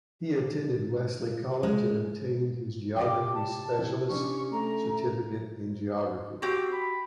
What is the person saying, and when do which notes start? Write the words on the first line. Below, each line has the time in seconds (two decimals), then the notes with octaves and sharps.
He attended Wesley College and obtained his Geography Specialist Certificate in Geography.
1.63 G#3
2.96 C3 G5 D6
3.34 A5
3.79 C3 E4
4.10 C#4 D4 C#6
4.52 A3 A#5
6.42 C4 F#4 G4
6.72 B5